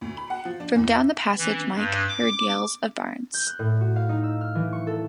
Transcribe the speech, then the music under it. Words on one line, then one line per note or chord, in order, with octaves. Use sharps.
From down the passage Mike heard yells of "Barnes!"
D2
B5
F#5
F3
D4
E2
E5
E3
G2
D6
G6
F#6
A2
F#4
F5
D#4
E6
F6
E3
C#6
A4